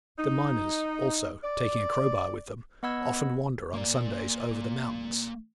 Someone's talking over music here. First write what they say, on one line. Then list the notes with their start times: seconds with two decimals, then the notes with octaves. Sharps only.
The miners, also, taking a crowbar with them, often wander on Sundays over the mountains.
0.18 D#4
1.43 D5
2.83 B3 D#5 F#5 B5 E6 G#6
3.74 A#3 D5